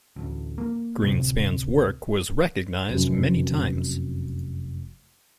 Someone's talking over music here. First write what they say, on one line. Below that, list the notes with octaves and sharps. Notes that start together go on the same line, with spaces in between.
Greenspan's work was recognized many times.
A1 D2
A#3
D2 A2 C3 C4
F1 F#2